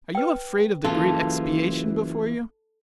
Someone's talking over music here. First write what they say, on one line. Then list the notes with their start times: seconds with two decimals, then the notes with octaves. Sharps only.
Are you afraid of the great expiation before you?
0.15 B4 G5
0.84 F#1 E3 F4 A4